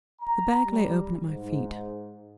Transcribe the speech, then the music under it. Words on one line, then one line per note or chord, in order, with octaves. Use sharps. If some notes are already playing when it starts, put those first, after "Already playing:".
The bag lay open at my feet.
A#5
G3
G#2